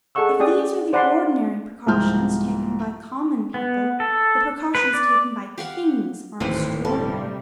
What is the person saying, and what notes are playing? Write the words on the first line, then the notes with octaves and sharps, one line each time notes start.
If these are the ordinary precautions taken by common people, the precautions taken by kings are extraordinary.
G#4 A4 D#5 F#5 C#6 E6
C#4 G4 G#4 D5 G5 D#6
C5 D5 F#5 G#5 B5 C6
C2 G#2 F3 F6 G6
B3
A4
B4
D5
G4 F5 F#5
D1 G#1 D#2 E3 B4 C5
G2 C3 G3 A4